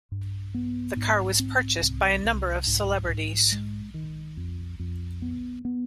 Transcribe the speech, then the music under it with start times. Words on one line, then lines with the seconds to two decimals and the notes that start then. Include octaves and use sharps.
The car was purchased by a number of celebrities.
0.12 G2
0.54 B3
0.97 G#2
1.39 C4
1.82 C2
2.25 C2
2.67 G#2
3.09 G#2
3.52 G#3
3.94 D#3
4.37 F2
4.79 F2
5.22 B3
5.65 B3